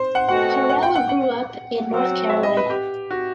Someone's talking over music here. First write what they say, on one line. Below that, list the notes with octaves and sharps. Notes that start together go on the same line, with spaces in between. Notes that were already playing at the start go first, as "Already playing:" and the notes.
Correll grew up in North Carolina.
Already playing: C5
F#5
B2 A3 C4 F#4 F#5
F#5
G5
F#5
F#5
F#3 C4 F#4
E5
D#5
B4
G4
F#4